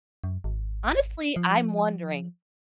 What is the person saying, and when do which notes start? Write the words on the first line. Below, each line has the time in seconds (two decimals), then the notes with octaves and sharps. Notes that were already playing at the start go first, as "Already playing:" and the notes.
honestly, I'm wondering
0.24 F#2
0.44 G#1
1.36 F3